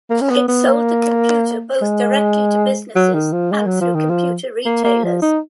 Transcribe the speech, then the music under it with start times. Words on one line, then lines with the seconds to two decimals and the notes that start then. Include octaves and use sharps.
It sold the computer both directly to businesses and through computer retailers.
0.10 A#3
0.21 C#4
0.30 B3
0.48 B3
0.68 A#3
1.82 G#3
2.96 F#3
3.14 D#3
3.33 F3
3.52 G#3
3.66 F#3
3.81 F3
3.95 D#3
4.09 F3
4.66 A#3
4.84 A#3
5.04 F3
5.22 D#4